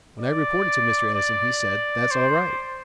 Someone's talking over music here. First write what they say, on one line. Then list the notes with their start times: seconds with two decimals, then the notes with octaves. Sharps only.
When I reported to Mr. Edison he said: 'That's all right.
0.20 D5
1.15 D5
2.11 C5